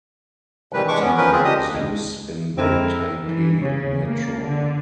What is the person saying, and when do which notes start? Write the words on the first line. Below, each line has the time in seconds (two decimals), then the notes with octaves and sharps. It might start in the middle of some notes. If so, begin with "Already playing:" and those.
Optima was used in the Taipei Metro.
0.73 C3 D#3 E3 G3 B4
0.88 E3 G#3 D4 C#6 D6
1.01 B3 C#4
1.17 F3 C#4 A#4 B4
1.32 C4 F4 G#4
1.45 D4 G4 D#5 D#6
1.75 C#2 G#3
2.58 F2 D3 G#3 C4 E4 A4 A#4
3.25 E3
3.61 C#3
4.05 A#3
4.43 D3